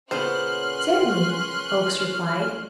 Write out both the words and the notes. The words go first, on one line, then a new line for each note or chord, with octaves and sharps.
"Certainly," Oakes replied.
A#2 C#3 B3 C#4 C5 C6 F6 F#6